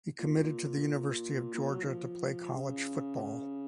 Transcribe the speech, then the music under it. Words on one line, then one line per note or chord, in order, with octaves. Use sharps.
He committed to the University of Georgia to play college football.
A#2
A#2
F#3
D#3
F3
C#3
C3
C#3